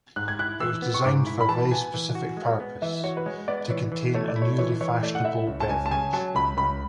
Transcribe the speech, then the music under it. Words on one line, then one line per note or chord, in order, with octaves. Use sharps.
It was designed for a very specific purpose: to contain a newly fashionable beverage.
G#2 F#6
G#6
E4 F#6
E3 E6
B3
C#6
G#2 D6
E4
B5
E3 A5
B3 G#5
E3
F#4
G#3
B3
E3 E5
F#4 C#5
B4
G#3 C#5
B3 D5
E3 C#5
E3
A3 C#5
D5
E4
C#5
E3 C#5
E3 C#5
A3 D5
F#5
E4 E5
C#2
A5
C#2 G#5
A5
C#3 G#5
F#3 A5
C#2 B5
C#2 B5